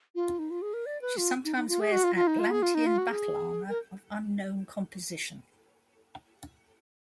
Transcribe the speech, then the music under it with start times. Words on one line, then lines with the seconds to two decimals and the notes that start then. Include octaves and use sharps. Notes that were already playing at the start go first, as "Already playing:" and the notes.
She sometimes wears Atlantean battle armor of unknown composition.
0.15 F4
0.39 D#4
0.50 F4
0.62 G#4
0.73 A#4
0.86 D5
1.02 B4
1.17 F4
1.45 D#4
1.56 D#4
1.68 F4
1.80 G#4
1.92 F#4
2.04 F4
2.15 F4
2.27 D#4
2.39 F4
2.51 G#4
2.62 F4
2.75 D#4
2.86 F4
2.98 F#4
3.10 G#4
3.69 A#4